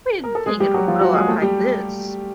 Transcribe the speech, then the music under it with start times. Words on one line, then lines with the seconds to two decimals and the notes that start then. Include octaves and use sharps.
We didn't think it would blow up like this.
0.24 A#4
0.35 A4
0.46 G#3 G#4
0.60 G3 G4
0.74 F#3 F#4
0.88 F3 F4
1.01 F#3 F#4
1.14 G#3 G#4
1.28 A3 A4
1.42 G3 G4